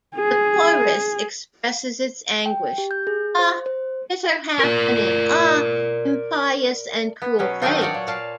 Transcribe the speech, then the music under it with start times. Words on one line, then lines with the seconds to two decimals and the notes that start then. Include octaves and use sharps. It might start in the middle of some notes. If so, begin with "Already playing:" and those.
The chorus expresses its anguish: Ah, bitter happening, ah, impious and cruel fate!
0.15 G#4
2.46 G5
2.78 G4
2.91 G6
3.07 G#4
3.39 C5
3.66 C5
4.59 A#4 D5
7.22 B3
7.39 B2 F#3 B3 C#4
7.62 D#3 F#3 C4 D4 D#4 F4
7.81 F#4 C#5 D5 F#5
7.94 A#2
8.08 A#2 F5 A5